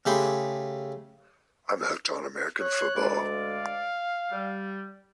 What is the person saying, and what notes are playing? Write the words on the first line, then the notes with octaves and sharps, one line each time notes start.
I'm hooked on American football.
C#3 A3 G4 G#4 B5 C6
C#5 F#6
D2 G#3 D5
F5
G3